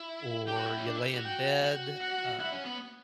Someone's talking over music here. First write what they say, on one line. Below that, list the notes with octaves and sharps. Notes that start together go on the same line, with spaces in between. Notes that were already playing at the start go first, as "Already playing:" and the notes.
or you lay in bed, uh,
Already playing: E4
G4 G5
F#4
E4
C#4
D4
E4
G4
F#4
G5
F#4
F#5
E4
C#4
B3